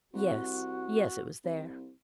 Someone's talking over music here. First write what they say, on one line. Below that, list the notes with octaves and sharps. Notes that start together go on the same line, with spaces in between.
'Yes--yes--it was there.'
C2 F#4
C2